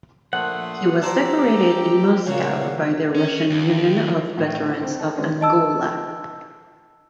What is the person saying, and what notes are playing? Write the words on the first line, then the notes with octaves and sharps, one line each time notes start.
He was decorated in Moscow by the Russian Union of Veterans of Angola.
A#1 A3 A4 F#5 C6 D#6
D4 G4 C5 A#5 D6 E6
A#2 C#3 F#3 F#4 F5 F#5
C#4
D#2
A2
D3 A3 C4 E4
C#2 C4
A4 D#5
D#3 F3 G#3 B3 C#4 D4
D#5 A5 E6